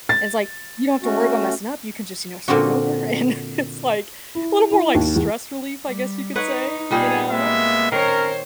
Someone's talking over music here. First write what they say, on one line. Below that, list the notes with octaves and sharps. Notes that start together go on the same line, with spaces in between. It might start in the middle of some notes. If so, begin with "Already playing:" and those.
and it's like, you don't have to worry about messing up; you can just, you know, start over, and it's like little more like stress relief, I guess, you could say, you know?
A6
A3 C#4 F#4
A#2 D3 C4 D4 F#4
E4
E4
D#2
E2
G3
D#4 B4 C#5 F#5
A#2 G3 C4 G#4
G#3 A#3 B3 E5
D#3 C#4 A#4 C5 C#5